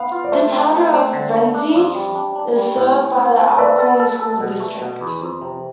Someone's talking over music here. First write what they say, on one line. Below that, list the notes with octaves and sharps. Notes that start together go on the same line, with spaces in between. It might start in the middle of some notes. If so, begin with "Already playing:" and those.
The town of Rienzi is served by the Alcorn School District.
Already playing: B3 F5
F4
D5
A3 C5 E5
C4
A3
C4
D3
A3
D4
F2
G3
D4
D4
G3
A2
A2
C4
C4
B4 D5 E5
A4
A4
A4
B2
A3
B2
E2
F2
C3